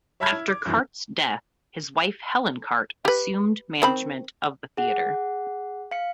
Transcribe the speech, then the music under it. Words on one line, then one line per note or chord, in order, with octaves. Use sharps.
After Carte's death, his wife Helen Carte assumed management of the theatre.
C#5 E5 A5 B5 F6 G#6
E4
D6
F#2 D#3 E3
G4 B4
D#3 C4 B5
G#4 F#5
F5 C#7